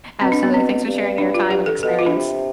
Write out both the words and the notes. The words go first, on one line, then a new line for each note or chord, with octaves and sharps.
Absolutely, thanks for sharing your time and experience.
B2 C4
D4
B3
B2 C4
G2
D4
F4
G4
A4
B2 A4
F4
D4
C3